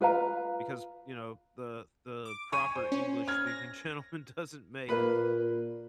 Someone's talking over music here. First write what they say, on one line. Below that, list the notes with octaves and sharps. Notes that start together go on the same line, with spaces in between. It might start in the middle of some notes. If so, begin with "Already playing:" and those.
Because, you know, the the proper English-speaking gentleman doesn't make
F4 B4 F5 A#5
D6
G#5 C#6 D#7
C5
C#4
F6 G#6
A#6
A#2 A#3 B4 B5